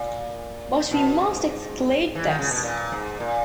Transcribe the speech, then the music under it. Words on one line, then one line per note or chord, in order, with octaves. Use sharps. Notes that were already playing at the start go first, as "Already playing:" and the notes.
But we must exclude this.
Already playing: A#2
B2
G#2
E3
D#3
C#3
B2
A#2
G#2
A#2